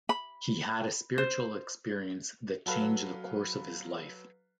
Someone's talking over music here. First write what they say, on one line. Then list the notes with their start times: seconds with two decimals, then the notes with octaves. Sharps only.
He had a spiritual experience that changed the course of his life.
0.09 B5
1.18 C5
2.66 F#3 A4 B4 F5